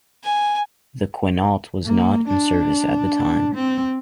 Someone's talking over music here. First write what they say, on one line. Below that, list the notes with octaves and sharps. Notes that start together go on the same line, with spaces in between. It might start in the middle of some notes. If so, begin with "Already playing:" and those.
The "Quinault" was not in service at the time.
G#5
A#3
D4
C4